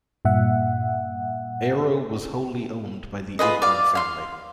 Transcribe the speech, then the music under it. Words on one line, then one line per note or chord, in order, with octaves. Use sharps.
Aero was wholly owned by the Ibru family.
G2 A#2 E5 F#5
F4 G#4 B4 D#5
D5 F5
F5 C6